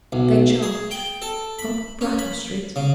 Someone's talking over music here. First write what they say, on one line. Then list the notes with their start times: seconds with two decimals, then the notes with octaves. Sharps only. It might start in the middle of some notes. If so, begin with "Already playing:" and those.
They charge Up Brattle Street.
0.12 B1
0.63 G#4
0.91 G5
1.22 A4
1.59 B5
2.01 C#4
2.19 B5
2.76 C#3